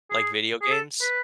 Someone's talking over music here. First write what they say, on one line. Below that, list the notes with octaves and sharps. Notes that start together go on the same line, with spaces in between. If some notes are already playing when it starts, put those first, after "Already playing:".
Like video games?
G#4
G#4
A4
B4